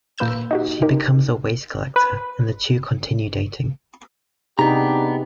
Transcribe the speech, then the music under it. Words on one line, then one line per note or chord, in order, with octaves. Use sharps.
She becomes a waste collector and the two continue dating.
A#2 A#3 B4 E6 G6 E7
D#4 F#4 G4
D#4 G4 A#4
B4
C3 B3 D4 D#4 G4 G#4 A#5